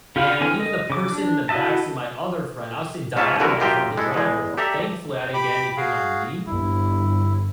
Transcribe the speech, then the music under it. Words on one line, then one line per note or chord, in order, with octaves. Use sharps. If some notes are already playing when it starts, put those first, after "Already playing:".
and even the person in the backseat, my other friend I was sitting diagonal from the driver, thankfully, I didn't get anything on me,
C#3 F4 G4 F5 B5
D3 E3 C4 A#4 G#5
D#5
C#3 D6
D4
E4 F#4 D#5 E5 A5
G#2 C#4 F4 E5 A5
C2 D3 E3 E4 F#4 A#4
F#2 F4 G4 E5 G5 A#5
G#3 E4 A4
E2 G#3
G4 A4 D5 E5 A#5
G4 B5 D6
F#4 G#4 F5
G1 E4